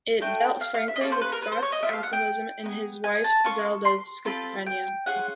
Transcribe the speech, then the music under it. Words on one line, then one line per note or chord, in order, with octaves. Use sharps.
It dealt frankly with Scott's alcoholism and his wife Zelda's schizophrenia.
A3 D4 F#4 A4 G5
F5
F5
E5
D#5
A#3 C#4 F4 A4 D5
C5
B4
A#4
B4
C5
C#5
D#5
A#3 D4 F4 E5
F5
F#5
G5
B3 D#4 G#4
G#5
A5
C#4 F4 A4 C#6
C6
C4 F4 A4 B5
G5
C#4 F4 G#4 F#5